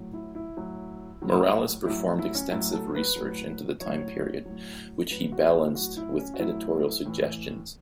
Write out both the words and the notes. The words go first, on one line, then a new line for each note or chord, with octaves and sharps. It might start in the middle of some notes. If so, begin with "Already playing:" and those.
Morales performed extensive research into the time period, which he balanced with editorial suggestions.
Already playing: A2 F#3
E4
E4
A2 F#3
A2 F#3
A2 F#3 E4
E4
C#4
A2 F#3 E4
A4
B4
A2 F#3
A2 F#3 C#5
A2 F#3
A2 F#3 B4
F#4
F#4
E4
A2 F#3 F#4
E4
C#4
F#4
A2 F#3 E4
A2 E3